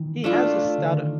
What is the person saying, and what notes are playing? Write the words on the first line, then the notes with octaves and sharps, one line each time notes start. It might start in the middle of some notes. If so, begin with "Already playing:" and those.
He has a stutter.
Already playing: D#3 E3
A3 D4 F4
D3
D#3